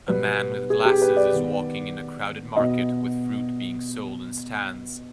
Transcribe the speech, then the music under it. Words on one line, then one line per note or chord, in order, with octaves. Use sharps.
A man with glasses is walking in a crowded market with fruit being sold in stands.
B2 G3 B3 B4
G#4
G4
B4
D5
D#3 B3
B2 B3 D#5